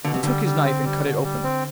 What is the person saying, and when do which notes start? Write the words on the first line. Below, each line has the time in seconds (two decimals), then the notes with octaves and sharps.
He took his knife and cut it open.
0.05 B2 D3
0.14 C3
0.23 D3 G3
0.45 G3
0.65 C4
0.84 G3
1.04 B2
1.24 G3
1.44 C4